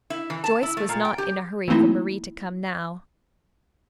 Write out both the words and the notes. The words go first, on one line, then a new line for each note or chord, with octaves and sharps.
Joyce was not in a hurry for Marie to come now.
E4
E3
A5
E4
A3
A#2
G5
G4
E3 A3 A#3 C4 D#4 E4